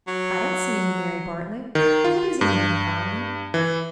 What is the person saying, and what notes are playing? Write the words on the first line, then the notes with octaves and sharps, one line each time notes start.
"I don't see any Mary Bartlett. What does he mean, Polly?"
F#3
D#3
F4
G2
E3